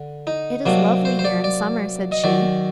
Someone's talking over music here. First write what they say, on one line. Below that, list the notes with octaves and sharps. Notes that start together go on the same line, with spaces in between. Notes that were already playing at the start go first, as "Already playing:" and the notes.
"It is lovely here in summer!" said she.
Already playing: D3
D#4
C3 F#3 A#3 D4
C5
C5
D5
D5
D#5
D#3 F#3 D5